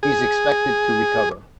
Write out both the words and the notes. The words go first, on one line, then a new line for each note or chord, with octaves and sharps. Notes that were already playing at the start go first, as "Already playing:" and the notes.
He's expected to recover.
G#4